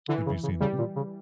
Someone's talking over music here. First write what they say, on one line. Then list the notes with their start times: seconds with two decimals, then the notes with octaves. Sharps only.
Have you seen them?
0.08 D3 E3
0.26 C#3
0.43 C#3
0.60 C#3 G3
0.78 A#2
0.96 C#3